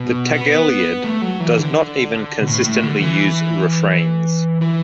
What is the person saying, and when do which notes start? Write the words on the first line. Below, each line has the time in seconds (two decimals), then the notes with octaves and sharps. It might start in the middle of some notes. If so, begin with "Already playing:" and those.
The tagelied does not even consistently use refrains.
Already playing: B2
0.33 B3
1.04 A3
1.22 F#3
1.40 E3
1.58 D3
2.41 B2
2.47 A2
2.65 A2
2.83 D3
3.00 E3
4.61 E3